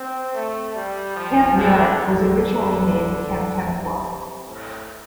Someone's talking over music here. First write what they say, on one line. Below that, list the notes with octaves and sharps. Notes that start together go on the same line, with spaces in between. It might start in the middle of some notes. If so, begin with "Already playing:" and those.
Camp Merritt was originally named Camp Tenafly.
Already playing: C4
A3
G3
F3
D3
D3
C3
A2